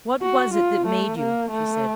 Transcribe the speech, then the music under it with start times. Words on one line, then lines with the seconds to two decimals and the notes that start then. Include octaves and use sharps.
"What was it that made you?" she said.
0.22 F#4
0.54 F4
0.87 A3
1.19 A#3
1.51 A3